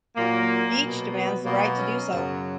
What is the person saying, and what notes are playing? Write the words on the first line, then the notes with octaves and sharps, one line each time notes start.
Each demands the right to do so.
A#2 F#3 A#3
B2 F#3
B3
B2 F#3 A#3
C#4
F#2 C#3 F#3